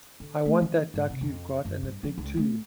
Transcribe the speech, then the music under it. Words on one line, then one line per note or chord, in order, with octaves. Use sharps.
I want that duck you’ve got — and the pig too.
D3
A3
E3
G#2
C3
F2
F#2
G2
F3
C#2
A3